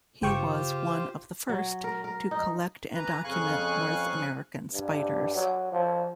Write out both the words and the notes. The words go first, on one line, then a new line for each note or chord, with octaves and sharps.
He was one of the first to collect and document North American spiders.
G1 C#3 F4 G4 C5 G5 C#6
F#3
A#4
A#4
D#4
E3 B4 A#5
F2 C#3 F5 G#5 C#6 F#6
G2
F#3
F3